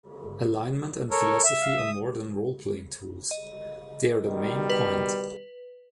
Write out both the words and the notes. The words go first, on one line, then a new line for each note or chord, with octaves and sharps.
Alignment and philosophy are more than roleplaying tools -- they're the main point.
A4 A#4 C#5
E5
F5
D#6
D#5
B2 D#3 G3
B4